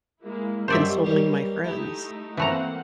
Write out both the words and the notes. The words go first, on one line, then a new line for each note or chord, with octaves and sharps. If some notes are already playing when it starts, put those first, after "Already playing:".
consoling my friends?
G#3 A#3 E4
F#2 B2 G3 C5 D5 E5
B1 A#3 G4
A3 D#4 E4 G4
E3 A3 A#3 C4 F#5 A#5